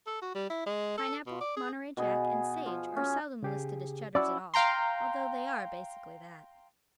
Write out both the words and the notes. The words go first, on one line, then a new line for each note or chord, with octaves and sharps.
Pineapple, Monterey Jack and Sage are seldom listed as Cheddars at all, although they are basically that.
A4
F#4
G3
E4
G#3
A4
B2
D5
G#4
B2 G#4
F3
C#4
C#3 G4 G#4
C#4 E4 F#4 D5
F5 G5 A#5 C6